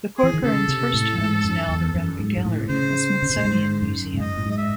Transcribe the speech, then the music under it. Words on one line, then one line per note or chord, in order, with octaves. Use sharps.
The Corcoran's first home is now the Renwick Gallery, a Smithsonian museum.
G#4
E3
D#3
C#3 A4
C3
A2
G#2
F#2
E2
F#2
G#2
G#2
A2
C#3 C5
C#3
C3
A2
G#2
F#2
G#2
F#2 D#5
A2
G#2
D#5
E5